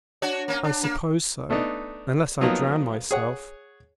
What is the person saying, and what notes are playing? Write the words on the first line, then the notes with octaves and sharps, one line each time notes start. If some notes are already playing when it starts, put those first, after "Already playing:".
"I suppose so;--unless I drown myself."
D4 F#4 C#5
A#3 C#4
D4
A#3
A3 B3 D4 D#4
F3 F#3 A#3 B3 D#4 F4
G#4 C#5 F#5